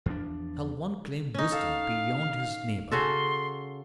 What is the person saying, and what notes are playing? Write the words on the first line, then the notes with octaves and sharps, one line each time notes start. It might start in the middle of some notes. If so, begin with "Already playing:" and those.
Shall one claim wisdom beyond his neighbor?
E2 F3 D4
C#4 D#4
A4 F5
C#3 F#4 A4 C6